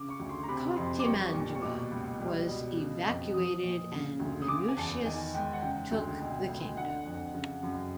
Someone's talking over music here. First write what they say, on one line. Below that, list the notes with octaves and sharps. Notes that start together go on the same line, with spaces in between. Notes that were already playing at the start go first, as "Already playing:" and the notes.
Cartimandua was evacuated and Venutius took the kingdom.
Already playing: C#3 D6
C#6
D2
C6
A#5
C3 B5
F2 C6
D6
G3 C#6
A#2
C#6
B2 D6
C#2
G3
B2
C#3
F2
F3 D#6
A#2
C#3
D2
D#6
C#3 D6
G#5
E2 A5
D#3 G#5
G#2 G5
F#5
C#3 G5
D2
B2
C#2
D3 F#5
F2
C#3
F#2